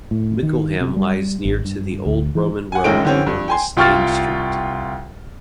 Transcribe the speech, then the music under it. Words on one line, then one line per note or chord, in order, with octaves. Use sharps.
Mickleham lies near to the old Roman road known as Stane Street.
A2
D#3
C3
G3
G#1
G2
D2
E3
F#5 G#5
A1 F#2 D#3 G#3 G5 D7
D3 E3 C4 C#4 G4
G2
G5 G#5 C6
C2 F4 G5 C#6 F6 A6